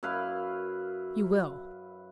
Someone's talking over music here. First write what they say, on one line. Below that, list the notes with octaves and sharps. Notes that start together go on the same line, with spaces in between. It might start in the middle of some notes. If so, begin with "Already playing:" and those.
"You will."
F#2 E4 B4 F5